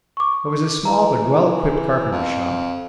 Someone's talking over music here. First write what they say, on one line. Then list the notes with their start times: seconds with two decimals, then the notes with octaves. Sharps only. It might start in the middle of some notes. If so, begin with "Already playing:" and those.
It was a small but well equipped carpenter's shop.
0.17 C#6 D6
0.85 E3 A#5
2.12 F2